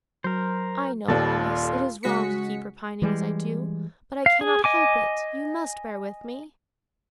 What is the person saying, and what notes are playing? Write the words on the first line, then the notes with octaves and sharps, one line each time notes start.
'I know, Alice, it is wrong to keep repining as I do, but I cannot help it: you must bear with me.'
F#3 A#4 C5
D#1 D#2 F4 A4 D5 A5
C#3 G#3 F#4 B6 C#7
E3 G3 G#3
F5
G#4
D#5 G#5 D6